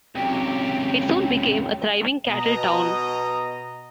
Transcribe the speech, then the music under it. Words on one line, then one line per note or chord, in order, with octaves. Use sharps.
It soon became a thriving cattle town.
C#2 C3 F#3 G4 G5
B2 D#5 A#5